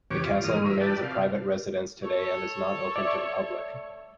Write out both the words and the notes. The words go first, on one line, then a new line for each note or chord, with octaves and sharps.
The castle remains a private residence today and is not open to the public.
E2 C#3 B3 G4 C#5 D6
F4
G#2 E3 A#3 D#6 F6
A#4 E5
B4 D5 G5 A5
C3 F5
A4 C#5
D5 E5